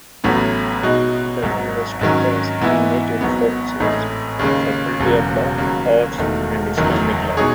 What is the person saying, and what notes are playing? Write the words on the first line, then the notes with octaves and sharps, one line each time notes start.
The university has three major focuses: Faculty of Law, Arts, and Islamic Law.
A1 A2 F#3 B3
B2 G#3 D#4 F#4
G#1 G#2 F#3
G#2 D#3 F#3 C#4
G#2 E3 B3 E4
G#1 G#2 F#3 B3
A1 A2 G#3 D#4 G#4
D#2 C#3 G#3
E1 E2 C#3 F#3
D#2 C#3 F#3
E1 E2 D#3 A3
F#1 E2 D#3 F#3
B2 G#3 D#4 G#4 C#5